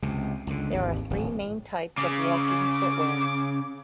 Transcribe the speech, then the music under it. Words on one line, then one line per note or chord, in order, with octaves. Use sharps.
There are three main types of walking footwear.
C#2 C3
C#2 D3
G#1 D#2
D1 A1
C#3 D6